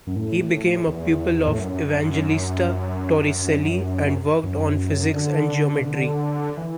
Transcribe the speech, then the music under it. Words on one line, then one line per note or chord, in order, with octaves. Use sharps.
He became a pupil of Evangelista Torricelli and worked on physics and geometry.
F#2
A2
E2
A2
F#2
F#2
D3
B2
D3
E3